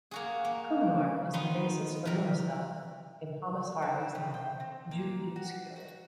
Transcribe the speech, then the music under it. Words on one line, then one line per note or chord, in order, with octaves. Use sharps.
Cumnor is the basis for Lumsdon in Thomas Hardy's novel "Jude the Obscure".
A#3 F#4 G#4
A#3
D#3 B3 D#4 C6
C3 A#4
C4
C#3
G5
C4
A#3
F#4
F#4